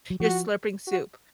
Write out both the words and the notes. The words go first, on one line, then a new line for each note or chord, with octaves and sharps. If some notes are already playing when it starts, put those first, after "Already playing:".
you're slurping soup,
F#3
F3 F#4
F#4